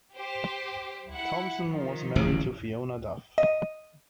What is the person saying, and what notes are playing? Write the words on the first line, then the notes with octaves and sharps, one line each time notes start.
Thompson was married to Fiona Duff.
G4 C5
E4 F#5
D#3 F3
D1 A1 C#3
D#5